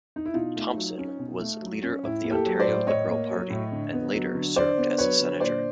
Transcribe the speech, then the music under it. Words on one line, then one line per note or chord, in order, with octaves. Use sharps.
Thompson was leader of the Ontario Liberal Party and later served as a Senator.
D#4
E4
B2 D#4 F4
A3
F#3
C#4
B2
A3
F#3
C#4
A2 E4
A#3
G4 A4
F#3
C5 D5
A2
A2 C#5 D#5
A#3
F#3
A2
D3
B3
F#3
D3
D3 C5 D5
B3
F#3 B4 C#5
D3
A#2 C5 D5